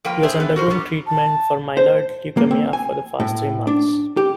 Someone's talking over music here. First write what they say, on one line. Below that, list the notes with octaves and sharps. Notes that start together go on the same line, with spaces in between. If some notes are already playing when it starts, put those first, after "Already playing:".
He was undergoing treatment for myeloid leukaemia for the past three months.
F3 A#3 B4 G5
D4 G#4 C5 E5
B3 B4
F#4 A#4 C5
F#2 G3 B3
A5
C5
A#3
C4
G#5
A2
D4
G4